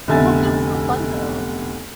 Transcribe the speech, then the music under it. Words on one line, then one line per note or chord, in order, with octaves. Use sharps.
That's so fun, though.
F1 B1 D3 E5 G#5 A6